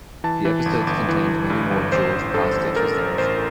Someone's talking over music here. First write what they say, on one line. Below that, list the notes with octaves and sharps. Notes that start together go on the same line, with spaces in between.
The episodes contained many more George Parr sketches than usual.
E3 A5
E3
G1
G1
E3
G1
G2
G1
A1 C5
A1
G2 A4
A1
A1 A#4
A1
A1 C5